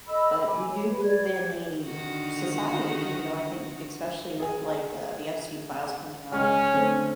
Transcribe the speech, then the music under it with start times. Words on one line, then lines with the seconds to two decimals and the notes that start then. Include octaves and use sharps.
But we do live in a society, you know, I think especially with like, uh, the Epstein files coming out,
0.08 A4 D#5 B5 E6
0.45 G#5 B5 D6
0.67 C#5
0.88 B4
1.03 D5 G#6
1.38 G4
1.85 D3 D#3 F#4
4.40 G#4 G#5
6.32 C#2 G#3 C#4 F6
6.74 D3 A3 C4